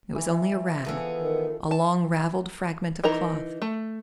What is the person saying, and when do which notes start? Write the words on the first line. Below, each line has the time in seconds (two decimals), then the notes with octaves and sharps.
It was only a rag, a long, raveled fragment of cloth.
0.15 E3
0.85 E3 F3 B3 G#4 A4 F5
1.18 D#3
1.71 A5
3.04 E3 D#4 A#4 A#5
3.62 A3